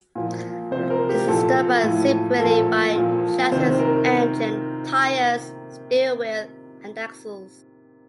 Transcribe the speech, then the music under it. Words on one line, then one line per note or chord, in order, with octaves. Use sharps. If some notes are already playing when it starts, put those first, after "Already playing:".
This is done by separately buying chassis, engine, tires, steering wheel, and axles.
A#2 F3
C3 F3 C5
A#4
G4
A#2 F3 A4
A2 F3
A#2 F3 A4
A#2 F3
C3 D#3 C5
A#4